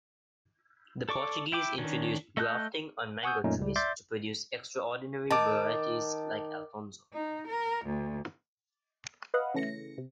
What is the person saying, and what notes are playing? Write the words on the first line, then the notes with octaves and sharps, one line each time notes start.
The Portuguese introduced grafting on mango trees to produce extraordinary varieties like Alphonso.
A4 D5 C#6 D6
E4 G5 D6
D#3 C#4 D4
A3 D#5 A5 F#6 G6
F#5 G#5 C#6 D#6 E6 G6
F#2 A#2 A3 C#4 D#4
C#2 G3
D5 E5 C6 D6 G6 A6
D#3 A5 D6
D#4
A#4
D2
B4 D#5 F5 F#5
C#3 E3 A3 A#6 C#7
C3